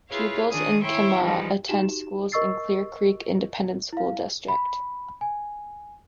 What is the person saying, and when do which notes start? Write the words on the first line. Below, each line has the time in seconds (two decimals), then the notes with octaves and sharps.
Pupils in Kemah attend schools in Clear Creek Independent School District.
0.10 E4 F4 G#4 B4 C#5 F5
0.52 D#3 D4 G#4 D#6
0.83 E4 C#5 E5 G5 C6
1.23 E3 F3 G3 G#3 D#4 B4
1.68 D#4 F#4 G4 E7
2.32 A#4 D#5 C#6 E6 A6 C7
3.93 E4 F5
4.48 B5
5.21 G#5